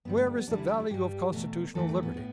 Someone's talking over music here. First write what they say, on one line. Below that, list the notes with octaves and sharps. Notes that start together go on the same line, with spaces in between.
Where is the value of constitutional liberty?
G2 D3 G3 B3
A3
A3
B3
E2 D3 G3 D4
E4
G4
E4
G2 G3 G4
E2 B2 A3
E2 E3 A3 A4
A3
B3
A2